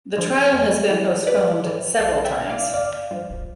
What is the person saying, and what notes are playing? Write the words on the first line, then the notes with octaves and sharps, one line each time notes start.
The trial has been postponed several times.
D3 F3
F2
E3
B1 B4 D5
A2 E3
B1 D5 F5
E5 G5
B2
D5 F5
G1 D5 F5
G2 F3